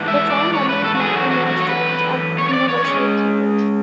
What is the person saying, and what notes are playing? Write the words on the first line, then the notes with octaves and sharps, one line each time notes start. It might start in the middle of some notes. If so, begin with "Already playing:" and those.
The four members met when they were students at University of Cambridge.
Already playing: G#2 E3 B3 D4
E5
D5
C#5
B4
A4
F#4
E2 D3 F#3 G#4
F#4
F#4
F#4
C#5
B4
C#5
C#5
D5
C#5
G#3 C#4 C#5